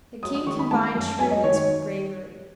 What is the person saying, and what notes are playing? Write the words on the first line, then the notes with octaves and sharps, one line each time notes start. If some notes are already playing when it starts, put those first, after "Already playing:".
The King combined shrewdness with bravery.
F#3 D#6
D#6
D#3 C#6
B5
A3 A5
F#2
F#3 G#5
D#5
D#3 C#5
C#5